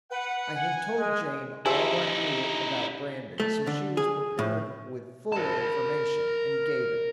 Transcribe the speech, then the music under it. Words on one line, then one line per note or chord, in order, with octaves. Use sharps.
I had told Jane all I knew about Brandon, so she was prepared with full information, and gave it.
B4 F#5
G#5
G#3
F3 D#4 E4 G4 G#4 E5 G#5
A3
D3
G#4
A2
A#4 A5